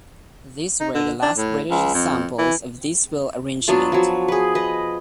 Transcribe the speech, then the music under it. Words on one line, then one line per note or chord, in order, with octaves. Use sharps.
These were the last British examples of this wheel arrangement.
D#4
D3
D4
A2
C#2
F2
E3
F#3 B3 D4 F4
F3 F#3
G#4 B4
B4 D#5